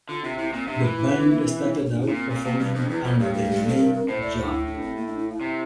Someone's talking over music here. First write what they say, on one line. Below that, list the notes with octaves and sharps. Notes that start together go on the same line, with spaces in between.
The band started out performing under the name Jar.
D3 F4
C3 F4
C3 E4
A#2 C4
C3 D4
E3 F4
E4
D4
C4
A#3
C4
C4
E4
D4
D4
E4
A#2
C4
A#2 C4
A#2 A#3
G2 C4
F2 D4
E2 E4
F2 F4
G2 G4
G4
A4
G4
A4
A#4
A#4
A2 C5
D5
C5
D4
E4
D4
C4
A#3
D4
E4
E4
C3